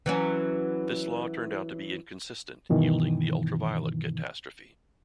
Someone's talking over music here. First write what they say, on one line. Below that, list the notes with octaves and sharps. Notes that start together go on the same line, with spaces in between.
This law turned out to be inconsistent yielding the ultraviolet catastrophe.
E3 F#3 C#4
G2 B2 D#3 E3